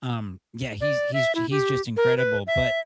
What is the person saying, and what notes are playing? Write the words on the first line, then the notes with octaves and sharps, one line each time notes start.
Um, yeah, he's he's he's just incredible, but
D5
E5
E4
G4
A#4
B4
E5